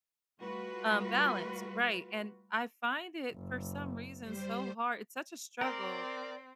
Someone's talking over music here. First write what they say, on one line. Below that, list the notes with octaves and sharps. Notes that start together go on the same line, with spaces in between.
Um balance, right, and I find it, for some reason, so hard it's such a struggle
G3 A3 F4 F#4 B4
F#1
G3 C5
C4 A#4 D5